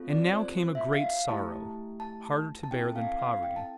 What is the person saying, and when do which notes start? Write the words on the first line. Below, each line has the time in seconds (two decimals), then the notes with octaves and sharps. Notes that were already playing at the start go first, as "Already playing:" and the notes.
And now came a great sorrow, harder to bear than poverty.
Already playing: C4 F4 A4
0.10 D5
0.33 C5
0.57 C5
0.75 E5
0.93 F5
1.29 A3 E4 G4 A5
2.00 A5
2.63 A5
2.71 C4 E4 A4 G5
2.96 F5
3.19 F5
3.43 G5
3.56 A5